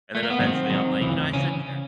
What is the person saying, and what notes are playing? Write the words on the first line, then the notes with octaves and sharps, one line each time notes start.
and then eventually I'm like, "You know, I should care."
A3
A#3
B3
G#2 D#3 F#3 C4
G#2 D#3 F#3
D2 C#3 E3
C#3 E3 C#4